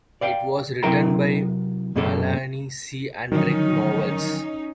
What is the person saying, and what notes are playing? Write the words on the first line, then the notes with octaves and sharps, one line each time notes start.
It was written by Melanie C and Rick Nowels.
D5 F5 G5
C3 F#3 E4 A#4 G5 A#5
F#2 B2 A#3 C#4 G#4 A4
D3 D#3 F3 F#3 C#4 D#4